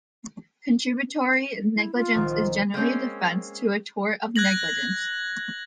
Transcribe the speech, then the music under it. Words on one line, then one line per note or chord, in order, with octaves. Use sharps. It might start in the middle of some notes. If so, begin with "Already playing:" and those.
Contributory negligence is generally a defense to a tort of negligence.
E4
F4
A#1 D#3
G#3 A#3 C4 C#4
F#6 G#6 A#6 F#7